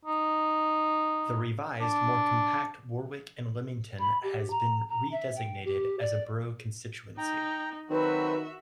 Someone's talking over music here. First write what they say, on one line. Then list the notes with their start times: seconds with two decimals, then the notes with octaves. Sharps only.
The revised, more compact, Warwick and Leamington has been redesignated as a Borough constituency.
0.05 D#4
1.81 D4
3.99 B5
4.23 G4
4.51 A#5
4.89 A#5
5.12 E5
5.36 G5
5.65 G4
6.00 D5
7.18 D#4 G5 A#5
7.90 D#3 F#3 C4 F#4 B4 E5